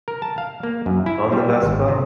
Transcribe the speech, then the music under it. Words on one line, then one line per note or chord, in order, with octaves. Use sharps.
on the Vespa,
A#4
A5
F5
A#3
F#2
E4
G3
G3
G#1
C3